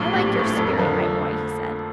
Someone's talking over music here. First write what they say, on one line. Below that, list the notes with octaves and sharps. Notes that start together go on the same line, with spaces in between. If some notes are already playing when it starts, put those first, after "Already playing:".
"I like your spirit, my boy," he said.
Already playing: A#1 A2 F3
A#1 G4
A2 F3
F2 A4
A#4
D3 F3 A3 A4